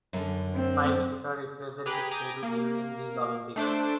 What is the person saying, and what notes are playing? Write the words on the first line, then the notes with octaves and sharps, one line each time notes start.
Five shooter represented Peru during these Olympics.
F#2 D3
C4
G4 G#4 B4 A#5 B5
G5 G#5 A#5 D6 D#6
A#3
A3 D4 C5 D6